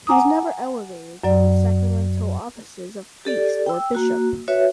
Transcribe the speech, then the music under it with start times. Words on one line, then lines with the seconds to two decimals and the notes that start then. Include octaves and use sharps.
He was never elevated to the sacramental offices of priest or bishop.
0.07 F#5 G#5 A#5 D6 D#6
1.24 F#2 F#3 D5
3.25 G4 A4 D5
3.66 G5 E6
3.95 A#3 F#4
4.48 F#4 B4 C#5 E5